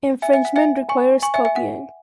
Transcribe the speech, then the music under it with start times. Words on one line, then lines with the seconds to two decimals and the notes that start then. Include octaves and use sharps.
Infringement requires copying.
0.22 E5 G#5
0.33 E5 G#5
0.45 F#5
0.56 E5 G#5
0.89 G#5 C#6
1.22 G#5 C#6
1.34 E5 G#5
1.45 E5 G#5
1.56 F#5